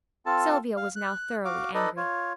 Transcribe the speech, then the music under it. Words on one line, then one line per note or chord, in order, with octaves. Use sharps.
Sylvia was now thoroughly angry.
C4 F4 A4 A5
F5
F#6
F#4 F5 D6
D#4 A4 B4 D5 D#5
F4 C#5